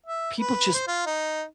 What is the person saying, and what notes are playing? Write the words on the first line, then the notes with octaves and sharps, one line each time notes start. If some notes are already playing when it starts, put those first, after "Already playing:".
people just
E5
B4
C5
F4
D#4